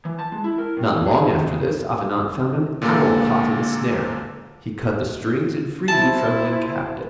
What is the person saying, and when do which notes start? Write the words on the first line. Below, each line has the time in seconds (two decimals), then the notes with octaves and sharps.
Not long after this, Avenant found an owl caught in a snare, he cut the strings, and freed the trembling captive.
0.05 E3
0.19 A5
0.32 G#3
0.44 E4
0.58 A#4
0.77 G2
0.93 E3
1.06 G#4
1.33 D#3
1.46 C#3
2.82 A#2 D3 G#3 A#3 A4
5.88 E4 C5 A5